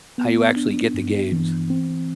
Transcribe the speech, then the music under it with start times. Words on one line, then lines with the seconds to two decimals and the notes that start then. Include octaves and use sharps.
how you actually get the games,
0.18 B3
0.56 D4
0.94 G2
1.32 E3
1.70 C4